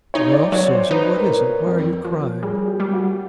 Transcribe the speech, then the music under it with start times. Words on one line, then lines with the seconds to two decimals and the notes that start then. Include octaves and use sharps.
'Well, Susan--what is it?--why are you crying?'
0.14 D#4 C#5
0.33 D5
0.52 F#3 C#5
0.71 C5
0.91 D#4 B4
1.15 A#4
1.29 A#2
1.67 F2
2.05 F3
2.42 G3 G#4
2.68 G4
2.80 G3
2.93 F#4